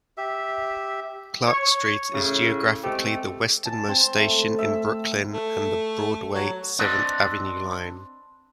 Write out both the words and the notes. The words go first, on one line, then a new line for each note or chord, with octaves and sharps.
Clark Street is geographically the westernmost station in Brooklyn on the Broadway-Seventh Avenue Line.
G4 E5
C#5
A2 C#3
G#3 A3 C4 G4
A5
C4
A3
E5
A3
F#3
C4 D4 B4 D#5